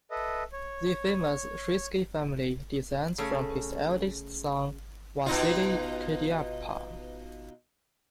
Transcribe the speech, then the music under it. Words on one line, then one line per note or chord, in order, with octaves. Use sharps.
The famous Shuisky family descends from his eldest son, Vasily Kirdyapa.
A4 B4 D#5 E5
C#5
C#3 A3 C#4
B2 D#4 F4